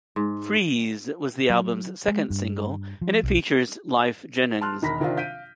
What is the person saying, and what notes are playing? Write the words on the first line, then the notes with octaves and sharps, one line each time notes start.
Freeze was the album's second single and it features Lyfe Jennings.
G#2
F#3
G#3
G2
F3
B1
A5 C6 F6 F#6
E1 D#3 A#5 B5 A#6 B6
C3 D#3 C4 D4 F4
F5 G6 B6 D7 D#7